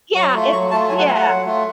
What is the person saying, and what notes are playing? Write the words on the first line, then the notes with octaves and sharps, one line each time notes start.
Yeah, it yeah,
F#3 C#6
A3 F4
F#3 C#6
A3 F4 A5
F#3 G#5
F#5
A3 F4 G#5
F#5
F#3
A3 F4